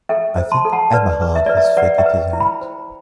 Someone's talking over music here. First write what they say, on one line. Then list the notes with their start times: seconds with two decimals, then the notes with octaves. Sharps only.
I think Eberhard has figured it out.
0.09 A4 E5 G5
0.38 C5
0.51 A5 C6
0.65 A4
0.73 F#5 A5
0.93 B4 D5
1.21 B4
1.36 E5
1.46 B4 D5
1.57 E5
1.77 B4 D5 F#5
1.98 E5 G5
2.06 B4
2.33 E4
2.40 G5 B5
2.61 C5